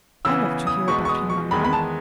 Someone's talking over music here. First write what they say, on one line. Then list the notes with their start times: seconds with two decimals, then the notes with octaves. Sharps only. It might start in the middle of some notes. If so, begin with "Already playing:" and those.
'I love to hear about him, mamma.
0.25 C#3 E3 B3 E6
0.67 D#6
0.88 E2 B2 G#3 B3 C#6
1.05 C#6
1.09 D#6
1.30 C#6
1.51 E2 D#3 G#3 B3 B5
1.64 B5
1.73 A5